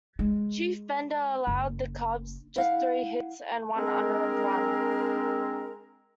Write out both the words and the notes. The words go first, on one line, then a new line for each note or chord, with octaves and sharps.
Chief Bender allowed the Cubs just three hits and one unearned run.
G#3
F#1
E4 F5 F#5
G#3 C4 D4 A#4